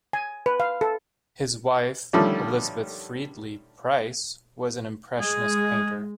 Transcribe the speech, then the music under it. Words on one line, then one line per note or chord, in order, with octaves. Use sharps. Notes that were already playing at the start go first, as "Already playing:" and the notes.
His wife, Elizabeth Freedley Price, was an Impressionist painter.
G#5
B4
F5
A4
D3 D#3 F3 G3 A3 C#4
G#3 G#4